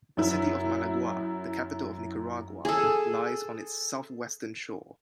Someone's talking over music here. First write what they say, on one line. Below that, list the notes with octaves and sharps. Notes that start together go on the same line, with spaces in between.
The city of Managua, the capital of Nicaragua, lies on its southwestern shore.
F#2 E4
G#4 A4